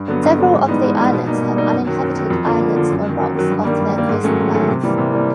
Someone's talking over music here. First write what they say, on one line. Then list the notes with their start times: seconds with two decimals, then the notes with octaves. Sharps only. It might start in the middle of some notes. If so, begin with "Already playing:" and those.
Several of the islands have uninhabited islets or rocks off their coastlines.
Already playing: G2
0.08 D3 F#3 B3
0.23 G2
0.38 D3 F#3 B3
0.53 G#2
0.68 E3 G3 B3 D#4
0.83 G#2
0.97 E3 G3 B3 D#4
1.12 B2
1.27 G3 A#3 D#4
1.42 B2
1.56 G3 A#3 D#4
1.72 F#2
1.87 D#3 F#3
2.01 F#2
2.16 D#3 F#3
2.30 F2
2.46 D3 F3 A#3
2.61 F2
2.76 D3 F3 A#3
2.91 F#2
3.05 D#3 F#3
3.20 F#2
3.35 D#3 F#3
3.50 G2
3.64 D#3 G3 A#3
3.80 G2
3.95 D#3 G3 A#3
4.09 G#2
4.24 D#3 F#3 A3 C#4
4.39 G#2
4.54 D#3 F#3 A3 C#4
4.69 C3
4.83 E3 G3 A#3
4.98 C3
5.13 E3 G3 A#3